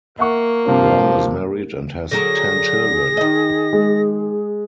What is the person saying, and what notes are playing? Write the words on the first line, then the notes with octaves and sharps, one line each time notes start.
Brown is married and has ten children.
A#3 E5 F#5 C#6
G2 C3 F3
D3 F#3 G#4 A#4 A#6
D#3 D#5
G#3